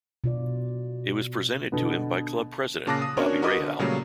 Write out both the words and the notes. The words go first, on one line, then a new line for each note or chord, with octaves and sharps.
It was presented to him by club president Bobby Rahal.
B2 F4 D5
B2 D3 B3
A#2 C#3 A5 D6 F#6 A#6
D#6
B3 C#4 D4 F#4 A#4 C#5
F#4 A#4 B4 D#5 D6 D#6
D3
A#2 C#3 F#3 G3 A3 C#4